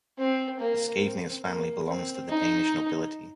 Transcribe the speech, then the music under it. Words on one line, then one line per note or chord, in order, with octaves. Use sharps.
The Scavenius family belongs to the Danish Nobility.
C4
A#3
C4
A#3
C4
D#4